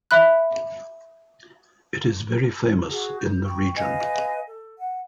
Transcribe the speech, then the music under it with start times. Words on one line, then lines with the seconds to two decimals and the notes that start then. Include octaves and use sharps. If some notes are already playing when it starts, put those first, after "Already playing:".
It is very famous in the region.
0.11 E5 B5 F#6
2.90 F#4 G#4
3.20 G6
3.43 G5 C#6
3.76 B4 D#5 F5 G#5
4.46 A4
4.78 F#5